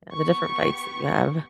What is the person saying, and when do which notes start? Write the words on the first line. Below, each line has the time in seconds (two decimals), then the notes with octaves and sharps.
Yeah. The different fights that you have.
0.12 B3 G4 C#6